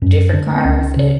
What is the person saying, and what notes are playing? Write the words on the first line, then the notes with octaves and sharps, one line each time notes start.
different cars and
F#2 C#4
D3 D4
A3
B3
C#2 C#4
C#3